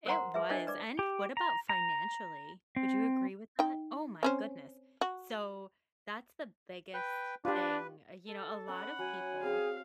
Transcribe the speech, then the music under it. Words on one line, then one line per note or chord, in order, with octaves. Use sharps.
It was. And what about financially? Would you agree with that? Oh, my goodness. So, that's the biggest thing. You know, a lot of people
A#4 C5 F#5 A#5 C6
G#4 B4 E5
D4 A#4 C5 D#5 A5
B4 D5 D6
G4
A#5
A#5
C4
D#4 G5
C4 C#4 C5
F#4
B4 G5
D4 F4 G4 B4
A4
C#4 D#5 F#5 G#5 B5
F#3 G#5
C4 G#4 F5